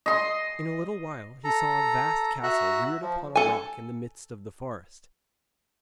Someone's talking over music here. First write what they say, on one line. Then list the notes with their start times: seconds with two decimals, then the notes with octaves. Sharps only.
In a little while he saw a vast castle reared upon a rock in the midst of the forest.
0.06 D#5 C6
1.44 A4 A#5
2.43 F#4 E5 A#5 F#6
3.02 F3
3.36 A4 G#5